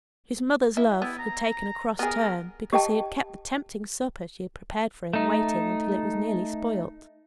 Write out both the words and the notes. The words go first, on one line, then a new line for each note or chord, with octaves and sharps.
His mother's love had taken a cross turn, because he had kept the tempting supper she had prepared for him waiting until it was nearly spoilt.
E4
B3 E4
A#5
B3 G#4 A#4
G4 D#5 G5 A5
A3 D#4